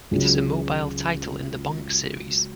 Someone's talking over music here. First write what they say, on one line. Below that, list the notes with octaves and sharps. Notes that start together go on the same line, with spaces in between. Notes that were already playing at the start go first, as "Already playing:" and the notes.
It is a mobile title in the Bonk series.
C#2 C#3 F#3